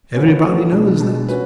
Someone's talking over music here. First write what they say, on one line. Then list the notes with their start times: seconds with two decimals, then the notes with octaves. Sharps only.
Everybody knows that.
0.15 F3 A3 C#4 F#4 B4
0.43 F3 A3 C#4 F#4 B4
0.72 B2 G#3 D4
1.00 B2 G#3 D4
1.29 C#4 F#4 B4